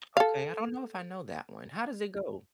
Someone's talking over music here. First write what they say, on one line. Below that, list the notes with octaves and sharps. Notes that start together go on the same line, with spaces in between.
Okay, I don't know if I know that one. How does it go?
A4 F5